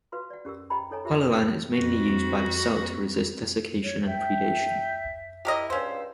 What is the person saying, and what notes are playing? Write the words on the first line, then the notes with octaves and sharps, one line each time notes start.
Pullulan is mainly used by the cell to resist desiccation and predation.
F#4 B4 F5 C6
D5 F#5
C#4 G4 A#4 E6
G4 C5 D#5 G5 A#5 B5
D#4 A4 C#5 D#5 G#5 A#5
F4 G4 A#4 C5 E5
F2 F#4
C#5
E5 G5
E4 G4 A#4 D#5
C#2 G2 C#4 C5 F5 E6